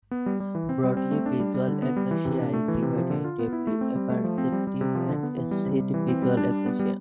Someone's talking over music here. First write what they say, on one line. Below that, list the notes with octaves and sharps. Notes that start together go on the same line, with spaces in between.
Broadly, visual agnosia is divided into apperceptive and associative visual agnosia.
B3
G3
G3
E3
C4
G3
C4
A3
D4
G3
G3
D3
B3
G3
E3
C3
D4
A3
E3
C3
F3
D3
F4
B3
E4
A3
C4
G3
A3
F3
C4
G3
G3
C3
F3
D3
B3
E3
G3
C3
G3
E3
C4
G3
D4
G3
B3
G3